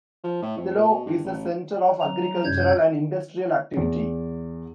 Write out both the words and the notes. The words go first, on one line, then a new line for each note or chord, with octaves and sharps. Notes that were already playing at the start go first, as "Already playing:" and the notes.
Silao is a center of agricultural and industrial activity.
F3
A2
F2
A#2
B2
G2
A1
F#3 A#5
F#2 C3 G3 G6 G#6
E2